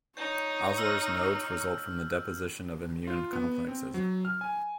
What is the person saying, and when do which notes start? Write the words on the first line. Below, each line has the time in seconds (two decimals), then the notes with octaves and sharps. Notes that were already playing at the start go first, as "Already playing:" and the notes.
Osler's nodes result from the deposition of immune complexes.
0.17 D#4 C#5 G6
0.78 E6 F6
3.07 F4
3.33 B3
3.68 C4
3.94 F#3
4.25 F6
4.41 G#5